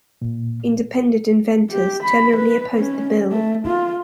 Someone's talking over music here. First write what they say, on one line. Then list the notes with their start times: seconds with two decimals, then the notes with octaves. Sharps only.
Independent inventors generally opposed the bill.
0.22 A#2
1.71 G4
2.03 B5
2.37 B4
2.77 C#4
3.32 A3
3.67 F4